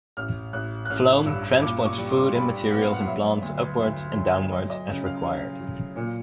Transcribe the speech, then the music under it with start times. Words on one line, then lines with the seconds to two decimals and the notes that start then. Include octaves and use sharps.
Phloem transports food and materials in plants upwards and downwards as required.
0.17 A1 F6
0.53 A1 F#6
0.85 F#6
0.90 A1 F6
1.26 G2 E6
1.62 A#2 D6
1.86 C#6
1.98 G3
2.11 C6
2.35 G3 B5
2.71 B3 F#5
2.81 F5
2.93 F#5
3.06 F#3 E5
3.42 D2
3.79 D2 E5
4.15 F#3
4.51 F#3 D#5
4.70 D#5
4.88 C#3
5.06 F5
5.23 F#3
5.60 F#3
5.96 A#2